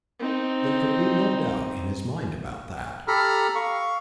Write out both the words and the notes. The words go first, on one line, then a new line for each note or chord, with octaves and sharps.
There could be no doubt in his mind about that.
C4 D#4
G4 A4 A#5 B5 F6
F5 C#6